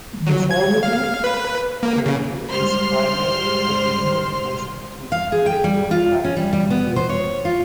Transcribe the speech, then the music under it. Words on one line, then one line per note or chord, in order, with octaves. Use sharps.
Deformable terrain is primarily a visual pleasure, with little practical use.
F#3
G#6
F5
B4
A#3
C#3
G#2 G3 C5 C6 F6
F5
G#4
G5
G3
F4
C#4
G3
G3
B3
C5
C#5
F4